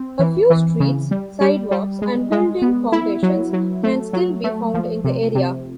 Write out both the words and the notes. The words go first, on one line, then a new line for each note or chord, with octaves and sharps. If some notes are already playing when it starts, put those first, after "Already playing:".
A few streets, sidewalks and building foundations can still be found in the area.
Already playing: C4
E3
E3
C#3
G3
G3
G3
G#3
G#3
B3
E4
F#3
F#3
A3
F#3
A3
F3
C3
C3